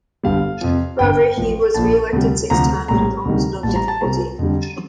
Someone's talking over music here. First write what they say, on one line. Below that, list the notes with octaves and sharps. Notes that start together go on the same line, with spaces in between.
However, he was reelected six times with almost no difficulty.
G1 G2 D3 G3 F5
F2 C3 F3
G1 G2 D3 G5
A1 A2 F3
A#1 A#2 F3 A5
D2 C3 G3
D2 C3 F3 A#5
A#1 A2 G3 A#5
D2 C3 D#3 G3
A1 A2 G3 A5
A#5
A5
C2 C3 G3 A#5
F2 D3 G3